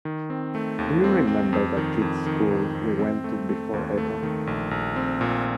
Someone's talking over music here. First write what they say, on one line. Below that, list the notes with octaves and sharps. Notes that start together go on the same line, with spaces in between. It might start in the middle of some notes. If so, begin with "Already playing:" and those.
Do you remember that kids' school we went to before Eton?
D#3
C4
A3
D#2
C4
C4
F2
D#3
F2
D#3
F2
F2
C4
A3
A3
D#2
A3
D#3
A#1
A#1
C4
A#2